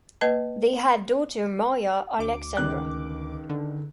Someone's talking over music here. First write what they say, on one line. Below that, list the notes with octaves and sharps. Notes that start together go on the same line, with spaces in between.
They had daughter Maria-Alexandra.
A#3 B4 D#5 A5
D2 D6
C#2 D#3 F#6
D3